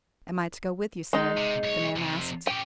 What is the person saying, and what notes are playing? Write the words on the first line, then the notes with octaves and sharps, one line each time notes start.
"Am I to go with you, sir?" the man asked.
G#3 D#4
C3
B1 C#5
F2 C3
C#4 G4 G5